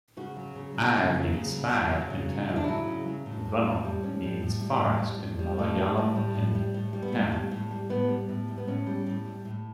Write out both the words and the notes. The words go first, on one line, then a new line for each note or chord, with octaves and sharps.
"Ay" means "five" in Tamil and "Vanam" means "forest" in Malayalam and Tamil.
C#3 F#4
F#3
C#3
F#3
C#3
F#3
C#3
F#3
C#3
F#3
C#3
F#3
C#3 E4
D4
F#3 E4
C#3
F#3
A2
G3
A2
G3
A2 C#4
G3
A2
G3
A2 A3
G3
A2
G3
A2 A3
G3
A2
G3
A2
G3
A2
G3
B3
A2 A3
G3
A2
G3
A2 B3
G3
A2
G3
B3
A2 C#4
G3
A2
G3
A2